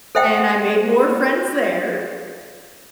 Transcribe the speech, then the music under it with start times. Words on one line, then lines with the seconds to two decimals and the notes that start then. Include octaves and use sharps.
And I made more friends there.
0.15 A4 C5 E5 F#5 G5